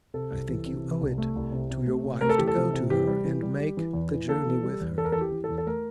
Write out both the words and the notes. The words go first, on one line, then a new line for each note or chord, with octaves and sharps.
I think you owe it to your wife to go to her, and make the journey with her.
C3 A4
C2
E3
C3
C3
C2
A3
C2
C3
C3
A3
C3
A3 A#4
A4
E3 G4
A4
C3
C3
E3 G4
G3
E3
G3
G3
E3
E2
E3
A#3 A4
E3
G3
E2
E2 A4
A#4
A4
E3
G4
E3
A4
E2
A4
A3 A#4